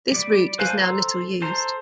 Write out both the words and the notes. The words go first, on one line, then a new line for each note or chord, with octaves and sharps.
This route is now little used.
G3 D5
B4 C5 F5 G#5 A5
A4 C5 A#5
A4 C5 A5 A#5